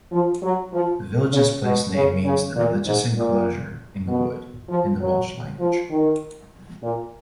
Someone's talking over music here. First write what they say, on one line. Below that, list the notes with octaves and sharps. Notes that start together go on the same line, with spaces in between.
The village's placename means the 'religious enclosure in the wood' in the Welsh language.
F3
F#3
F3
C#3
B2
C#3
C#3
A#2
G#2
A#2
B2
F3
F#3
F3
D#3
A#2